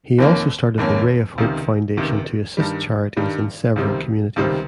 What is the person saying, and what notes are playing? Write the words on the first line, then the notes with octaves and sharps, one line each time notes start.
He also started the "Ray of Hope" Foundation to assist charities in several communities.
F1 F2 D#3 A#3 C#4
F1 F2 D#3 A#3 C#4
C#2 C3 D#3
C#2 C3 D#3
G2 D#3 G3
G2 D#3 G3
C#2 C3 D#3 G3 C4
C#2 C3 D#3 G3 C4